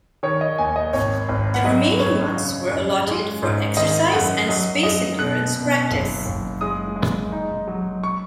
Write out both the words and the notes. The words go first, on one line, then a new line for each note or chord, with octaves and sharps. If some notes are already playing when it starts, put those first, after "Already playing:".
The remaining months were allotted for exercise and space endurance practice.
D#3 C#5
D#5
D#2 G#5
D#5
G#1 C#5
G#1
F#5
F#3 D#5
F#2 C#5
C#3
F#2
G#3
G#2
D#3 D#5
F#2 F#5
F#3 D#5
F#2 D#5
B2 F#6
B2
F#1
F#1
G#3 D#6
G#3
D#4
F#3
C#6